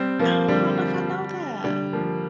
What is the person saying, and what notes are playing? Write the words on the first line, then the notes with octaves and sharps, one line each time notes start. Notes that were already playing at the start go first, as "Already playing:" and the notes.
Oh, I don't know if I know that.
Already playing: G3 C4
F3 A#3
D3 G3
D3 G3
F3 A#3